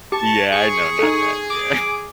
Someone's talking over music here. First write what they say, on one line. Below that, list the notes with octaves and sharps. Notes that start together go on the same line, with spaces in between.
Yeah, I know, not that, yeah.
G4 A5 C#6
G#4 C#6
D#4 A4
D6